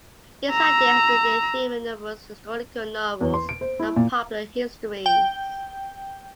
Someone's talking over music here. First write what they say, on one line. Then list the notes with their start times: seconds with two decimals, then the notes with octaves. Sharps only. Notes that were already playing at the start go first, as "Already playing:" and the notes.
This idea has been the theme of numerous historical novels and popular histories.
0.51 A#5 E6
3.21 E2
3.34 C6
3.49 D7
3.61 C5
3.79 E4
3.96 A#2
5.06 G5